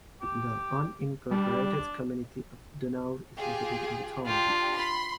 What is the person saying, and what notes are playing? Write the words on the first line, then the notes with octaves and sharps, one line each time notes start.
The unincorporated community of Donald is located in the town.
G4
G3 D4
F4 G4 G#4
D4 F4 G4
B5 C6